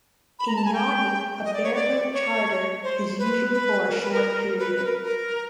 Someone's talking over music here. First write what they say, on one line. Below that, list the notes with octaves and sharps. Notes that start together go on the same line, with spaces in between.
In yachting a bareboat charter is usually for a short period.
B5
A#5
A5
G#5
G5
D#5
D5
C#5
D5
C#5
C5
B4
B4
A#4
B4
A#4
B4
B4
A#4
A#4